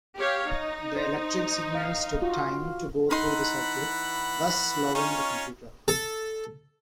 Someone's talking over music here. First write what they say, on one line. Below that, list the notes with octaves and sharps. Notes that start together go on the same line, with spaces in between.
The electric signals took time to go through the circuit, thus slowing the computer.
G4 C#5 F5
D#4
C5
F5
F4 F#4
E3 D#4 F#5 B5 C6
C#4 D#4 F4 C#5
A4